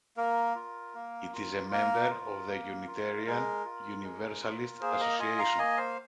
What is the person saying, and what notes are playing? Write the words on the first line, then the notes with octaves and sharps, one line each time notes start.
It is a member of the Unitarian Universalist Association.
A#3 A#4
F4
A#3
F4
A#3 A#4
F4
A#3
F4
G#3 A#4
F4
G#3
F4
A#3 G#4 C5
F5
A#4 D#5
F4 D#5 G#5
F5 A#5
A#3 D#5 G#5
C5 F5